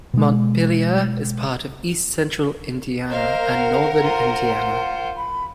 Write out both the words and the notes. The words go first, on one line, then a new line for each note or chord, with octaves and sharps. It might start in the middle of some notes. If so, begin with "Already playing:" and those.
Montpelier is part of East Central Indiana and Northern Indiana.
B2 G#3
A#4 C5 D#5 F5
F#5
F4 C5
B5